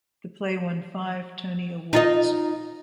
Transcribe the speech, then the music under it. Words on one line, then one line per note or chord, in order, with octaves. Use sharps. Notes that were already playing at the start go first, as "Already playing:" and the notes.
The play won five Tony Awards.
D#4 F4 D#5